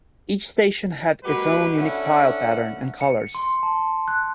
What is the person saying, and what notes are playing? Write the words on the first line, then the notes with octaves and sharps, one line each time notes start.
Each station had its own unique tile pattern and colours.
F#3 G#3 A#3 G4 B4
C#4 D4 E4 A4 F#5
C#7
C6
A5
F#6